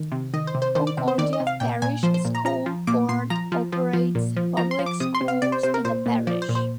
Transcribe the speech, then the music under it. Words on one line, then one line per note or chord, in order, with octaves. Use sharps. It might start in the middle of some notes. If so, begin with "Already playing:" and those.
Concordia Parish School Board operates public schools in the parish.
Already playing: D#3
C3
D#3 D#5
C5
C3
C5
D#3 C5
D5
C3
C5
D#3 D5
D#5
C3
F5
A#2 G5
A#2 G#5
F3 C5
C5
A#2
A#5
F3 A#5
F3
A#2 D6
A#2 C6
F3 A#5
F3
F3
F3
A#2
F3
F3 A#5
C6
F3
D6
C3 D#6
C6
C3
F5
C3 D5
C5
C3 C5
A#4
A#2 C5
A#2
F3 D5
C5
A#2
C5